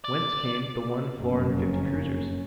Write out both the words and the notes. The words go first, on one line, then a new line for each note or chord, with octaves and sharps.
Whence came the one florin fifty kreuzers?
D5
F#1 F2 A2 A#3 C#4